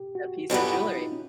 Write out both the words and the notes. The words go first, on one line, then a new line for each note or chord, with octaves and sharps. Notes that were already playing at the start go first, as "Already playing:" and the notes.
that piece of jewelry."
Already playing: G4
F#4
F#2 D3 G3 B3 F4
E4
D#4
C#4